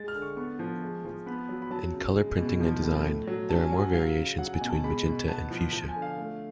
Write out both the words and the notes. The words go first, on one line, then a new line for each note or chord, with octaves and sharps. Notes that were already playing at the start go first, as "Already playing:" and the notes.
In color printing and design, there are more variations between magenta and fuchsia.
Already playing: G#3 A6
F6
D3
C#6
B3 C#6
F3
G#3
F3
B3 B5
F#3
B5
F#3 A5
C#3
G#3
B2
F3
A2
A3
F#3
C#4 A5
G#5
F#3
F#5
F#3 F5
C#3
F#3 F#5
G#5
B2
A5
G#3 B5
B2
B3 A5
F3
F3 A5
G#5
D3
F5
A3